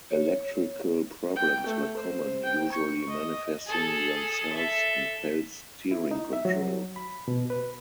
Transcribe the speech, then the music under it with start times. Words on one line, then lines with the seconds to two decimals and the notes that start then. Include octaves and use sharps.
Electrical problems were common usually manifesting themselves in failed steering control.
0.11 C#5
1.36 G5
1.66 A3
1.97 C5
2.44 G5
2.72 C#6
3.09 D#5
3.66 G#4 A4
4.53 A4 E5
5.91 E4
6.11 D#4
6.33 E5
6.45 F#3
6.96 B5
7.28 B2
7.50 B4